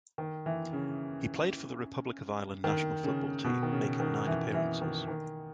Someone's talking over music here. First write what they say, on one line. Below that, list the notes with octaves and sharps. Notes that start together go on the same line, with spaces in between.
He played for the Republic of Ireland national football team making nine appearances.
D#3
E3
C#3
D#3
C#3
B2
D#3
C#3
D#3
E3
E3
D#3
D#3